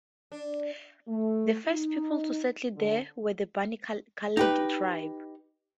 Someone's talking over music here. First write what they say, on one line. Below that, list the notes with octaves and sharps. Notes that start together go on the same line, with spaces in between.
The first people to settle there were the Bani Khaled tribe.
D4
A3
D#4
D3
D#4 G4 B4